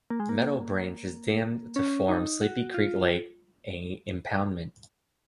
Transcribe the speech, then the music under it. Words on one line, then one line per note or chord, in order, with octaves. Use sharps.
Meadow Branch is dammed to form Sleepy Creek Lake, a impoundment.
A#3
G#3
A#3
C#4
D#4
F#4
F4